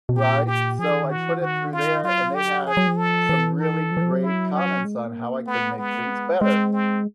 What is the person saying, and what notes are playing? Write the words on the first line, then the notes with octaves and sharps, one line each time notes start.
right? So, I put it through there and they had some really great comments on how I could make things better
B2
A#2 G4
G4
F3 G#4
E3
D#3
F#4
E3
D#3 F#4
F4
F#3 F4
G4
F3 G#4
F#3
F3
A4
E3
A4
F3
E3
F3
F#3
E4
C#4
G#3
A3
A#3
A3 B3
G#3 B3
A3
G#3
G#3 C4
C4